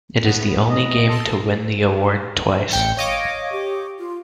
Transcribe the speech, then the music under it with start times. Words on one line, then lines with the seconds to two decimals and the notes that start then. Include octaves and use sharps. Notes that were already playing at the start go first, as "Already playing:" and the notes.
It is the only game to win the award twice.
0.25 A2 B3
0.70 D#5
1.08 A4 C6
2.71 A1 G5 C#7
2.97 C#5 D#5 F5 D6
3.52 G4
3.99 F4